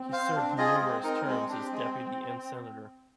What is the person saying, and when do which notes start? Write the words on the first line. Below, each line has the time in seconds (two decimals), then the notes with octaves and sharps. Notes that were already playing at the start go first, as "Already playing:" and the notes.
He served numerous terms as deputy and senator.
Already playing: C4
0.12 C5 F5
0.35 D4
0.58 F4 G#4 D#5
0.81 G#3
1.03 D#4 A#4
1.26 G#3 C4
1.49 D4 G4 C5
1.71 G#3